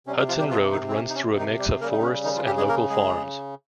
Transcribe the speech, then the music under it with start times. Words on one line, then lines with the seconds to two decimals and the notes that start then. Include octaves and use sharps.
Hudson Road runs through a mix of forests and local farms.
0.06 C3 G3 C#4
0.18 G3 G4
0.28 F3 F4
0.39 G3 G4
0.50 F3 F4
0.72 D#3 D#4
0.88 C4
0.94 C#4
1.10 D#4
1.15 C#4
1.38 D#3 D#4
1.59 G3 G4
1.81 C#3 A#3 A#4
1.84 G3
1.93 D#4
2.02 C#4
2.24 D#3 D#4
2.36 F3 F4
2.46 G3 G4
2.57 G#3 G#4
2.69 A#3 A#4
2.90 G#3 G#4